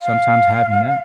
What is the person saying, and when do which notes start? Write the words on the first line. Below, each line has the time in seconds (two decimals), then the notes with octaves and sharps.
sometimes having that
0.02 F5